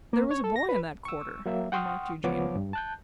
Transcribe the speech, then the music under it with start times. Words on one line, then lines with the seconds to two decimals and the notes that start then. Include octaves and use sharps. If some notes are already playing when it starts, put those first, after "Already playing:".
'There was a boy in that quarter,' remarked Eugene.
0.13 A#3
0.30 C#5
0.44 A4
0.56 A#6
0.69 B4
1.05 C#6 E6
1.46 F#3 A#3 E5
1.72 F#5 G5 C6 C#6 D#6 F6
2.24 C#2 F3 B3 C#5 D6
2.56 G2
2.73 A5 F#6 G6